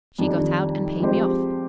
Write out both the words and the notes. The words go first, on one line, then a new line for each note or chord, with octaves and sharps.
She got out and paid me off.
F2 D#3 G3 D4
F3 G#3 C4 G4 C5